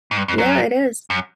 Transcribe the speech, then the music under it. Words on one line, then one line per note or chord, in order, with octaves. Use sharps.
Yeah, it is.
G#2
G2
F2
F#2
F#2